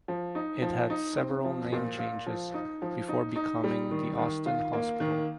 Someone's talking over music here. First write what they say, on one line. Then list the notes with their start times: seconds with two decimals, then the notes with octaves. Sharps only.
It had several name changes before becoming the Austin Hospital.
0.08 F3
0.35 D#4
0.62 F3
0.90 D#4
1.17 C4
1.44 F3
1.72 A#2
1.99 F4
2.26 F3
2.54 D#4
2.82 F3
3.08 D#4
3.36 D#4
3.64 G3
3.91 D#3
4.18 D#3
4.46 F4
4.73 A#3
5.00 D#3